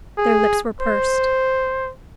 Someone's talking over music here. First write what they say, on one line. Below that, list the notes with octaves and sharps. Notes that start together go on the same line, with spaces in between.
Their lips were pursed.
G#4
C5